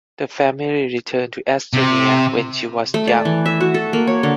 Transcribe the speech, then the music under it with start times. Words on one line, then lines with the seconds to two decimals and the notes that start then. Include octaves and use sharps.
The family returned to Estonia when she was young.
1.73 C3
2.94 A3
3.07 D5
3.25 E3
3.46 E5
3.61 F#4
3.74 A4
3.93 A#3
4.07 C#5
4.23 D3